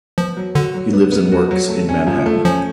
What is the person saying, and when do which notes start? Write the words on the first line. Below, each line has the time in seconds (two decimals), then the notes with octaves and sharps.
He lives and works in Manhattan.
0.18 F3 B3
0.37 F#3
0.55 D3 F#4
0.74 F#3
0.93 B3
1.12 B3
1.32 F#4
1.51 F#3
1.69 A3
1.89 C#4
2.07 F3
2.26 A3
2.45 F3 C#4